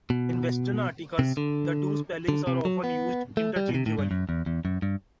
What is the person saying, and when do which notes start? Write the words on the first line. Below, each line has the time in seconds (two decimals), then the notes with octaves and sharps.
In Western articles the two spellings are often used interchangeably.
0.10 B2
1.19 C3
1.37 D3
2.29 D3
2.47 C3
2.65 F#3
2.84 B3
3.37 A3
3.56 G3
3.69 B2
3.75 C3
3.86 A2
3.99 G2
4.11 F#2
4.29 E2
4.46 E2
4.65 F#2
4.82 G2